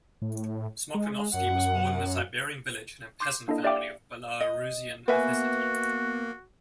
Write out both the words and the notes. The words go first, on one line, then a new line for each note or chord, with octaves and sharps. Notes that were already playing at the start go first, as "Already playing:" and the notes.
Smoktunovsky was born in a Siberian village in a peasant family of Belarusian ethnicity.
A2
G#3
F#2 F#5
C6 D6 G6 C7
A#3 D4 E4 A4 D#5
G4 D5 E5 F5 G5 D6
D#5
A#3 B3 F#4 B4 E5 G#5